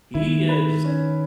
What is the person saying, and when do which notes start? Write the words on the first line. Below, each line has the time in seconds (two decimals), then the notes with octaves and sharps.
he is
0.14 D#3 E4
0.49 B4
0.84 C#4